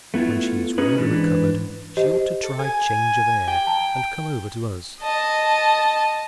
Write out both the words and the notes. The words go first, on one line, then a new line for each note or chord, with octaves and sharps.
When she is really recovered, she ought to try change of air, and come over to us.
A3 B3 E4 F4
C#4 D#4 G#4 B4
G#2 E3 D4 B4
G4 C5 D#5
A4
G#5
G5
A5 A#5
D#5 A5